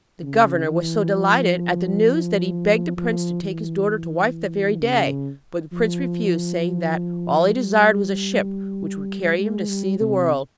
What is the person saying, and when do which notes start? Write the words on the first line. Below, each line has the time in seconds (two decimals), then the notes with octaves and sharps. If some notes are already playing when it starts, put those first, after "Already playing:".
The governor was so delighted at the news that he begged the prince to take his daughter to wife that very day; but the prince refused, saying that all he desired was a ship which would carry him to see the world.
0.23 C#3
0.69 E3
1.15 F3
2.98 F3
3.43 E3
4.82 C#3
5.73 F3
7.56 G3
9.39 G#3
9.69 G3
10.01 C3